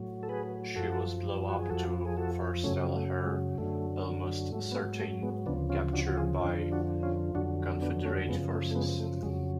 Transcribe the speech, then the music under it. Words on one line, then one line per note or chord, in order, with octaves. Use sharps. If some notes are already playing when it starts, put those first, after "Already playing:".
She was blown up to forestall her almost certain capture by Confederate forces.
Already playing: A2 F#3
A4
G#4 B4
F#2 F3 F#4 A4
F#4
G#4
F2 F3 F#4 A4
G#4
F#4 A4
F#2 C#3 F#3 A3 C#4
A3
G#3
F#2 D3 F#3 A3
G#2 F#3 A3
B3
A3
A3
G#3 B3
D2 C#3 F3 B3 D4
C#4 F4
D4 F#4
F#4
F4 G#4
F2 D3 F3 C#4 F4
D4 F#4
C#4 F4
F2 D3 F#3 D4 F#4
B3 D4
A3 C#4
F#2 C#3 F3 G#3 B3
A3
A3
G#3 B3
A3
F2 C#3 F#3 G#3